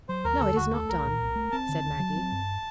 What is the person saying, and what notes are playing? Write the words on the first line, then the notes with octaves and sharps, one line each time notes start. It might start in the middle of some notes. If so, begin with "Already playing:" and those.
"No, it is not done," said Maggie.
F#3 C5
D#2 A#4
D3 A4
D#2 F#4
A3 A4
C2 A#4
A#2
C2
A3
C4 A5
D3
D2
F#3
C4
G2